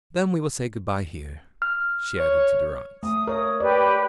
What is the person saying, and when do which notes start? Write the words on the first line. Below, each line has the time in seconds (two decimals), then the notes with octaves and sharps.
"Then we will say good-bye here," she added to Durrance.
1.62 F6
2.17 C#5
3.03 A3 D#6
3.27 A#4 C#5
3.60 G4 B4 D5